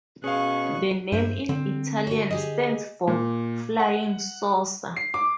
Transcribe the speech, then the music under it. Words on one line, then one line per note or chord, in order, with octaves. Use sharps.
The name in Italian stands for "Flying Saucer".
B2 C#4 G#4 F5 C#6 F#6
G2 C5 E5
D3 C4
F#4 C#5
G4 G#4 D#5
A#2
F#5
C7
D6